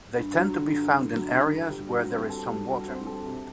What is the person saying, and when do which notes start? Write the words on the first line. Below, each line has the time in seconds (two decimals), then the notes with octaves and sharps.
They tend to be found in areas where there is some water movement.
0.16 G2
0.35 F#3
0.55 D3
0.74 G2
0.93 G2
1.13 F#3
1.33 D3
1.52 G2
1.70 G3
1.90 F#4
2.09 C4
2.29 A4
2.48 G3
2.68 F#4
2.88 C4
3.06 A4
3.26 C3